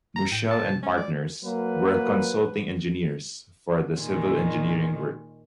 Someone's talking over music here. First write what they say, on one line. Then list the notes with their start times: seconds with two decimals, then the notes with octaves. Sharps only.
Mouchel and Partners were consulting engineers for the civil engineering work.
0.16 A#5
0.32 A2 G5
0.51 A5
0.69 C3
0.83 G#3 C#4
0.97 D5
1.45 F#3 A#3 B4
3.97 A#2 D#3 G#3